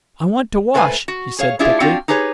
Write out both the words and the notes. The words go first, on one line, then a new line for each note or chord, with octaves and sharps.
"I want to wash," he said, thickly.
G#2 A3 B4 C5 G#5
F#4
G#4 C#5 F5
A3 D4 E4 F4 G4 G#4
C4 D4 F4 F#4 G5
D#4 G4 G#4 B4 C#5